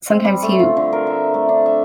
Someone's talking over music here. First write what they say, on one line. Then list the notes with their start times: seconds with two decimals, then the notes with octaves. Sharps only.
sometimes he
0.10 C4
0.25 G3
0.43 A3
0.59 F4
0.77 D3
0.93 A#4
1.07 E5
1.34 A3
1.49 D4
1.66 E5